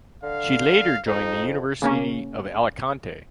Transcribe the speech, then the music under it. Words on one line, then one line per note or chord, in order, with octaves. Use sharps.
She later joined the University of Alicante.
D3 F5
F2 D#4
C#3 A#3 C#4